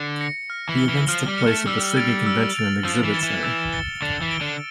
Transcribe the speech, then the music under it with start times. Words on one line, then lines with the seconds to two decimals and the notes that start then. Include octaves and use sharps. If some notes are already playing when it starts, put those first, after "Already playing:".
The events took place at the Sydney Convention and Exhibition Centre.
Already playing: D3
0.21 A#6 C#7
0.50 F6
0.69 E3
0.78 C#7 G7
0.89 E3
1.09 F3 F6
1.28 G3
1.38 C#7 G7
1.48 A3
1.67 G3 E6
1.97 A6 D7 F7
2.26 E6
2.55 A6 D7 F7
2.85 F3 E6
3.04 E3
3.14 A6 C#7 E7 G7
3.23 E3
3.43 E6
3.72 A6 C#7 E7 G7
4.02 D3 A6
4.22 E3
4.31 D7 G7
4.41 D3